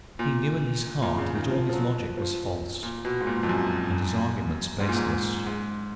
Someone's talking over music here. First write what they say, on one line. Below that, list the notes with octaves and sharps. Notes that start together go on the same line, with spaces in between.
He knew in his heart that all his logic was false, and his arguments baseless.
A#2
A#2
C#3
D#3
F3
F3
F#3
F3
A#2
B2
G#2
A#2
F2
F#2
G#2
A#2
G#2
G#2